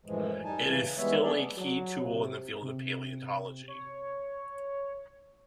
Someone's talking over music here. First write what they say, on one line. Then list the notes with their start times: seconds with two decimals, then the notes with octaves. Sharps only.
It is still a key tool in the field of palaeontology.
0.06 F#2 A2 E3 F3 G#3
0.44 G3 D#4 G#5 A5
0.65 C#3 E3
0.97 E3 G3 G#3 B3 C#5 E5
1.23 B3 D4 G#4 D5
1.57 F#3
2.01 C3
2.62 C3
3.68 C#5